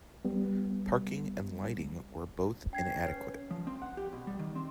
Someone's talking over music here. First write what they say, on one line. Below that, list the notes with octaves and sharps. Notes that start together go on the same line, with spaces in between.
Parking and lighting were both inadequate.
G3 B3
C#4 G5 G#6 C7
B4 C#5
F3
C4
F#5
G4
B2
G3
D#3
C4